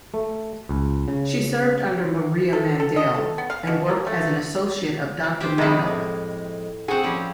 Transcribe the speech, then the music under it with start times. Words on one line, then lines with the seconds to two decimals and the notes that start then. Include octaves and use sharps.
She served under Maria Mandel and worked as an associate of Doctor Mengele.
0.14 A3
0.69 C#2
1.08 C#3
2.53 A4
2.80 A4
2.96 D#5
3.15 A4
3.38 B3
3.50 F5
3.67 B2
3.89 A#3
4.07 A3
5.40 G4 C5
5.58 F2 G#3 E4
5.88 A2
6.88 C4 F#4 G#4 F#5
7.04 F3 G3 C#4